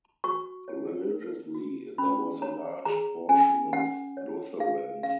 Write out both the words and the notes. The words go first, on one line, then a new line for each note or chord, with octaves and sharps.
Religiously, there was a large portion of Lutherans.
F#4 C#6
C#5
A#4
F#4
C#4 B5
C#5 A#5
G#4 A#5
C#4 G#5
C#4 F#5
C#5
G#4 F5
C#4 F5